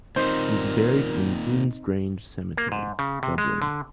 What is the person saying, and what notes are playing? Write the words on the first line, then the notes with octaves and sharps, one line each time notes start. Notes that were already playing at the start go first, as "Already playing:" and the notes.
He is buried in Deansgrange Cemetery, Dublin.
D#2 A#2 C4 D#4 A#4 C5
A#3
G#2
C#3
C3
G#3
D3